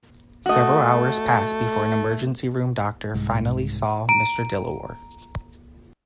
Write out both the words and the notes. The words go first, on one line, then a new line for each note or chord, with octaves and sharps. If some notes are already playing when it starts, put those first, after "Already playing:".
Several hours passed before an emergency room doctor finally saw Mr. Dilawar.
A3 F#4 D#5
C2 G#2
A#5 D7